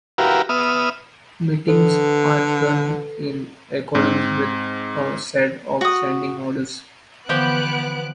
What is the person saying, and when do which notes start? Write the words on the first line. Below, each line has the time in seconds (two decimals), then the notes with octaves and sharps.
Meetings are run in accordance with a set of standing orders.
0.18 E4 F#4 G4 A#4 B4 F5
0.49 B3 E5 D#6 F6
1.68 D3 A4 B4
3.95 G#2 C4
5.81 F#4 D#6
7.29 D3 E3 F3 B3 G4 F#6 D7